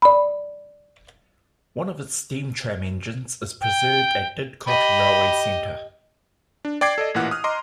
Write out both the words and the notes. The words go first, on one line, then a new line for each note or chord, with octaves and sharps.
One of its steam tram engines is preserved at Didcot Railway Centre.
D5 B5
G5
G4 D#5 B5
D4
D5 G5 D6 G#6 C7
A4 D5 D#5
A1 A#2 E3 F#5 F#6
D#6 F6
D#5 A#5 C6 D6